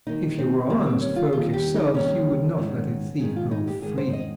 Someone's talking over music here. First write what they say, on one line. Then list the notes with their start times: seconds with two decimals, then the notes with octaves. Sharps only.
"If you were honest folk yourselves, you would not let a thief go free."
0.07 D#2 D#3 G3 D#4
0.39 C4
0.70 D#2 D#3 G3 A#3
0.86 C4
1.01 C#4
1.16 F4
1.32 D#2 D#3 G3 F4
1.53 G4
1.74 D#4
1.94 D#2 D#3 G3 C#4
2.57 G#2 D#3 G#3
3.19 G#2 D#3 G#3 G#4
3.36 F4
3.51 D#4
3.67 G4
3.82 G#2 D#3 G#3 G#4
3.98 C5
4.13 D#5